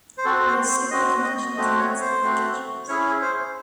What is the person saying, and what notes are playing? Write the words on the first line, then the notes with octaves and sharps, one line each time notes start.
He has skippered the national team on several occasions.
C5
C4 F#4 A4
C5
C5
C4 F#4 D#5
D#5
A3 C4 F#4 D#5
C#5
C5
A3 C4 F#4
C#4 E4 G#4 C#5
C5